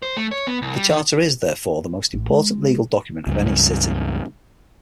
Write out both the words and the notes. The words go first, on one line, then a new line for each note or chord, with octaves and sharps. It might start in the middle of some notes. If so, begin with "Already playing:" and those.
The charter is, therefore, the most important legal document of any city.
C5
A3
C#5
B3
C2
G3
D#3
A1
G#3
C#2 G2